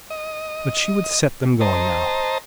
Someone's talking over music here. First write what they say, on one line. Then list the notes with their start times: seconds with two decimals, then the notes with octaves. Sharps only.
But she would set them going now.
0.10 D#5
1.61 C5 D#5 A5 A#5